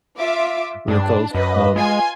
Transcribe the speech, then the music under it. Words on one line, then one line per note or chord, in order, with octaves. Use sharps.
Lentils, um
F4 E5 D6
G2 D4
F#2 B4 D#5
G#3 F4 G#5 C6